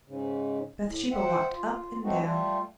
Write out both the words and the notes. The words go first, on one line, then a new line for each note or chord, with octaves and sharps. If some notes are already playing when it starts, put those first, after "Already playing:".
Bathsheba walked up and down.
G#2 C#3
A2
C5 E5 F#5 G5
F4
F#3 A3 B3 C4 D#4 F#4
G3 A3 F4